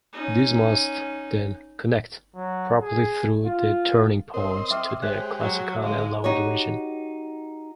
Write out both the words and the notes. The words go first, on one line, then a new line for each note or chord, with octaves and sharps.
These must then "connect" properly through the turning points to the classically allowed region.
C#4 D#4
F#3
G#4
F4
C4 A#4 C#5 D#5 C6
E5 G5 D6 F6
G#3 G4 C5 C#5 E5 F#6
F#3
D3 G#3 F5
D#4 F#4 G4 C#5